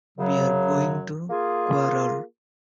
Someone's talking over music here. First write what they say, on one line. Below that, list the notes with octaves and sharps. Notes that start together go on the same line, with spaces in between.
We’re going to Querol.
F#2 C#3 F#3
A#3 F4 G#4